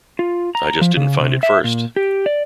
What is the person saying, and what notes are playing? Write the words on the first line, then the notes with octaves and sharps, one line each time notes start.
I just didn't find it first.
F4
A#5
F3
C#3
C3
E5
A#2
G4
D5